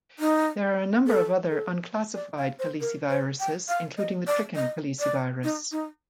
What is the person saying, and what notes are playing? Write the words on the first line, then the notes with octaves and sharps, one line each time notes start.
There are a number of other unclassified caliciviruses including the chicken calicivirus.
D#4
A4
A4
D5
F5
C5
A#4
C5
G5
F5
D#5
D5
D#5
D5
D#4
D#4